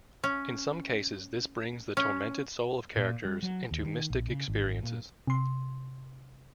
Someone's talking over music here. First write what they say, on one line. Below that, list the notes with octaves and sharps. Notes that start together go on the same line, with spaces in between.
In some cases this brings the tormented soul of characters into mystic experiences.
C#4
C#4
A#2
G3
F#3
D#2
D#3
A#1
C#3
G#1
A#2
C3 C6